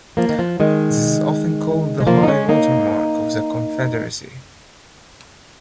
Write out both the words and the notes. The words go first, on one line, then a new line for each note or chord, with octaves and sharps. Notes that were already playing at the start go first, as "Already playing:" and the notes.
This is often called the High water mark of the Confederacy.
F3 A#3
D#3
F3
D#3 G#3
G#3
F3 A#3
D#4
G#3 C#4
A#3 D#4